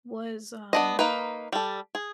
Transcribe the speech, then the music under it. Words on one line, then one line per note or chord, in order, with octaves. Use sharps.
was, um
B3 D4 D#5
A#3 D#4 B4
G3 A4
G#4